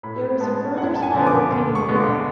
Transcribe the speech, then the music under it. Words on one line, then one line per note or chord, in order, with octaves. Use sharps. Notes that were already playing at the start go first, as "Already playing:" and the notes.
There is a further small working nearby.
A2 B5
G#3 B3 A5
F#2 F#5
A5
G#5
D3 F3 B3
D6
D2
C#6
D3 G#3 B3
D6